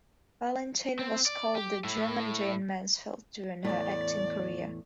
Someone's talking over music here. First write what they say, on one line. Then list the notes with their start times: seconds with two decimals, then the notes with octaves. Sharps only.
Valentin was called "the German Jayne Mansfield" during her acting career.
0.99 C4
1.26 D5
1.55 G4
1.84 A2 E4
3.65 E2 A2 D5